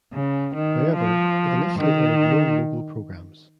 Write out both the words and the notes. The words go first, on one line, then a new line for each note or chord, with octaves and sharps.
However, it initially aired no local programs.
C#3
D#3
F3
D#3